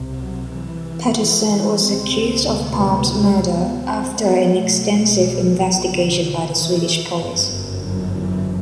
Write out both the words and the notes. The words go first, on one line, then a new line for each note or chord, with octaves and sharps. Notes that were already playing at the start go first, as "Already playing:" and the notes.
Pettersson was accused of Palme's murder after an extensive investigation by the Swedish police.
Already playing: C2 C3
F#3
E3
E3
E3
D2 C3 C4
B3
G3
B3
C4
B3
B1 B2 A3
G3
F#3
D3
E3
G1 F#2
F#3
E3